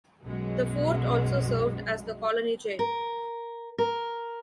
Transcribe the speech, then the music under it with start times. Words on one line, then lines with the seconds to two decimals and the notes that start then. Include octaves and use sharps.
The fort also served as the colony jail.
0.24 B1 F#2 B2 F#3 G#3
2.79 A#4
3.78 A#4